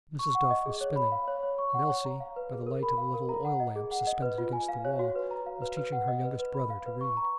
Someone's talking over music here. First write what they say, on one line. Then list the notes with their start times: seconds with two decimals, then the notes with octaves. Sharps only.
Mrs. Duff was spinning, and Elsie, by the light of a little oil lamp suspended against the wall, was teaching her youngest brother to read.
0.19 C#6
0.35 F#5
0.51 D#5
0.66 G#4
0.81 C#5
0.96 B5
1.12 F5
1.28 C#5
1.43 C#5
1.58 C#6
1.74 F#5
1.89 C#5
2.05 A#5
2.20 F5
2.36 B4
2.52 G#4
2.67 A#4
2.83 B5
2.98 F5
3.14 A#4
3.29 A#5
3.45 F#5
3.60 D#5
3.76 G#4
3.91 F#5
4.07 D#5
4.22 B4
4.38 F4
4.53 G#5
4.68 F5
4.85 C#5
4.99 F#4
5.16 B4
5.31 A#5
5.46 F5
5.62 B4
5.77 B4
5.92 F#5
6.08 D#5
6.23 B4
6.39 B4
6.54 B5
6.70 F5
6.86 B4
7.01 C#6
7.17 A#5